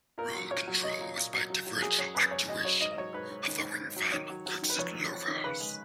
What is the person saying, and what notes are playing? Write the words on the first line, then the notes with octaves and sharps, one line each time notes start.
Roll control was by differential actuation of the wing-fan exit louvers.
A#2 A#4
F#3
A#2 C#5
F#3
F#3 D#5
A#2
A#2
F#3
F#3
F#3
F#3 G#4
F#2 C#5
F#2 B4
F#2 C#5
F#2 D#5
F#3 C#5
G#2 D#5
D#5
F#3 C#5
G#2 B4
G#2
D#3
G#2
G#2
F#3
D#3 C#5
F#3
F#3
D#3
B4
F2 C#5
F2
F2
D#3
C#3 B4
G#3